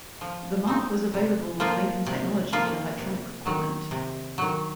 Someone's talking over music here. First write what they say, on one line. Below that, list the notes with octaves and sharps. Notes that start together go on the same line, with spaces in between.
The Mark was available with Lincoln technology and electronic equipment.
F3
C4 D#4
C3
F3 A#3 F4
C3
F3 A#3 F4
C3
D#3 F#3
C3
D#3 F#3